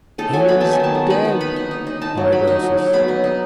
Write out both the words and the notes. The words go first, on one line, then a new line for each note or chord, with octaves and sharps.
"He is dead!" cried Ursus.
D#4 A4
F#3 G#5
B3 B5
D#4 A5
G#5
D#3 A5
B3
D#4 B5
B3
D#4 B5
D#4
D#4
D#4
D#4 A5
F#3
F#3 B5
D#4
F#3
F#3
B3 B5
D#4
D#4